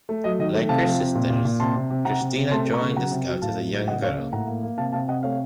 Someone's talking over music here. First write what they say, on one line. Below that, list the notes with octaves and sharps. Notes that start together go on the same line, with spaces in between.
Like her sisters, Christina joined the Scouts as a young girl.
A3
F#3 D#5
D#3 D#5
A3
C3 F5 A5
F3
C3
A#2
A#2
A#2
C3 A5 C6
C3
C3
C3 F#5 A#5
C3
C3
A3 A5 C6
A3
A#5 C#6
C#3
F#3 F#5 A#5
C3
F#3
A2 F5 A5
F#3
A2
C#3 D#5 F#5
C#3 C#5 F5
A#3
A2 F#5 A#5
A#3
A#3
C3 F5 A5
C3 F5 A5
C3 D#5 F#5
A3 C#5 F5